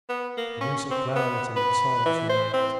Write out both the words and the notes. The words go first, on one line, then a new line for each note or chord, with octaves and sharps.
Cahusac glowered at him in silence for a moment.
B3
A#3
C#4
C4
B3
B4
E3
C5
C4